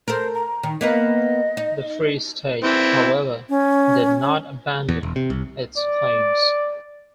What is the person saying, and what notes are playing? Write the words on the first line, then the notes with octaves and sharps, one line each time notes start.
The Free State, however, did not abandon its claims.
A4 A#4 C5
A#5
D#3
A#3 B3 B4 D#5
D#4
E3 C4 E4
C#4
E2
E1
C3
C2
D5